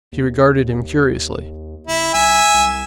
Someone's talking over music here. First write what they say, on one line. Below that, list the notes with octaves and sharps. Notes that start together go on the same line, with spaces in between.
She regarded him curiously.
D#2
F#1 E4
B1 E5 G#5
C2